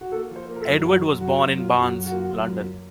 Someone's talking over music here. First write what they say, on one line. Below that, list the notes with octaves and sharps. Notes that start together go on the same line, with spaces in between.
Edwards was born in Barnes, London.
F#4
A#3 A4
F3
C5
A#3
A#4
A4
F#2
F#2 F#4
F#2
F#2 F#4
F#2
F#2 F4
F#2
F#4
F#2
F#4
A#3 F4
F#4
F#2 F4
F#2